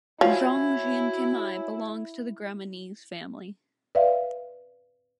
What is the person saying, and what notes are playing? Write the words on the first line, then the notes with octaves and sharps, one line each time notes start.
Zhongjianquemai belongs to the graminease family.
F3 E4 F#4 C#5 G#5
B4 D5 E5 F5